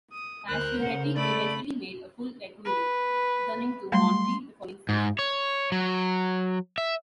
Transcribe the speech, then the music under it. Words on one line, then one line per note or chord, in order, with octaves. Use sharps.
Pacioretty eventually made a full recovery, returning to Montreal the following season.
D#6
D2 A#4 C5 F#6
C#3 F#5
A3 A4 D5 B5
B4
F#3 G3 A3 C6
G#2
C#5
F#3
E5